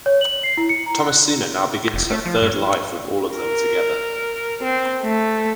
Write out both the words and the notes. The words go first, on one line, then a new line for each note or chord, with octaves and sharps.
Thomasina now begins her third life with all of them together.
C#5
F#7
C7
E4
C#7
A#5
F#6
F1
A3
F3
G2
A#4
C4
A3